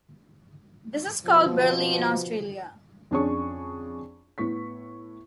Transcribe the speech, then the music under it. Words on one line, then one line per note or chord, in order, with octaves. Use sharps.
This is called Berley in Australia.
B2 F3
F2 C#4 D4 G#4 C#5 C#6
A2 B3 C#6 B6